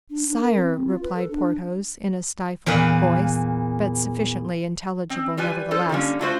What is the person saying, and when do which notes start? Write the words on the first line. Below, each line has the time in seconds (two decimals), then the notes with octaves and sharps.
"Sire," replied Porthos, in a stifled voice, but sufficiently intelligible, nevertheless.
0.10 D4
0.26 D4
0.38 A#4
0.55 C4
0.68 C4
0.87 F4
1.02 B4
1.15 A4
1.30 D4
2.66 E2 A#2 B4 F5
5.10 C4
5.37 G3 F4 B4 G#5
5.71 F4 A4 C5
5.89 D3 G3 A#3 C#4
6.19 A3 F4 F#4 C5